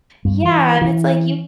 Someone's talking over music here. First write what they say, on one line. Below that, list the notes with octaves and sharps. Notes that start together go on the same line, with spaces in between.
Yeah, and it's, like, you
G2
E3
E3